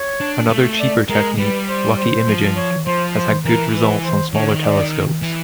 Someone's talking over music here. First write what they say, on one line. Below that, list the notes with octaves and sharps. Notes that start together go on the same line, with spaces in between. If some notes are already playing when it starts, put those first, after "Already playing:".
Another cheaper technique, lucky imaging, has had good results on smaller telescopes.
Already playing: C#5
D4
A3
D5
G#3 A#4
G3 B4
C5
C5
F3
C#5
F3 C5
C5
E3 A#4
B4
C5
D#3 C#5
D3
D#3
D5
E3